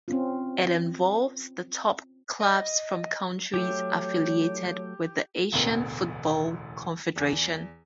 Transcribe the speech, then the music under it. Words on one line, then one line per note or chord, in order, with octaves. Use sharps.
It involves the top clubs from countries affiliated with the Asian Football Confederation.
C4 C#4 F4
D#5
F#3 A3 G4 C#5
E1 A1 D2 B3 A#4
E2